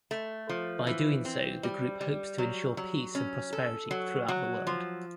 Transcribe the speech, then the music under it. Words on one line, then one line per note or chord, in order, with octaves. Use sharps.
By doing so, the group hopes to ensure peace and prosperity throughout the world.
A3
F3
E3
C4
G3
G3
F#3
F#3
C#4
A4
F#3
F#3
F3